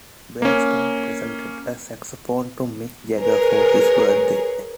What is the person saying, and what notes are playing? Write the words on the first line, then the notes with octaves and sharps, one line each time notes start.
Brainstorm presented a saxophone to Mick Jagger for his birthday.
A#3 C#4
G#4 A#4 B4 C#5